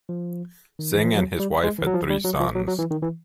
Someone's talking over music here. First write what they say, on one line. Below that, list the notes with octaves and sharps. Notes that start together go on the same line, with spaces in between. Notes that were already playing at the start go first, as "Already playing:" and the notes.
Singh and his wife had three sons.
F3
D#3
E3
F3
F#3
G3
G#3
E3
F#3
F3
G3
F#3
F3
F#3
F#3
E3
D#3
E3